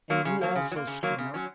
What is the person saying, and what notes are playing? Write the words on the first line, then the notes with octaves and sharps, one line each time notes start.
And you, also, Skinner?
F#3 A#3
C#3
F#3 A#3
C#3
F#3
A#3
C#3
F#3 A#3
C#3
F#3 C#4